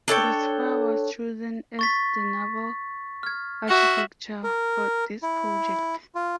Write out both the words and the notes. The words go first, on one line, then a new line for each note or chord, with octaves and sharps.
Bruce Farr was chosen as the naval architecture for this project.
D4 A4 C#5 G5
C#6 A6 B6
F6 G#6
F#4 E5
A#4
E4
F4